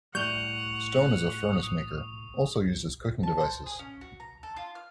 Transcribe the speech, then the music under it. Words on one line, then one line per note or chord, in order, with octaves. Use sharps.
Stone is a furnace maker, also used as cooking devices.
A2 G3 F#5 C#6 G6 F7
D#6
A5
C5
G#4
C#4
F#4
A#5
A4
F4
F6